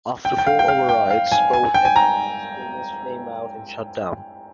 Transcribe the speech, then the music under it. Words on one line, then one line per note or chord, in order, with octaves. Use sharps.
After four overrides, both engines experienced flameout and shut down.
G5
G5
F5
G5
F5
G5
F5
G#5
G#5
G5
G#5
A#5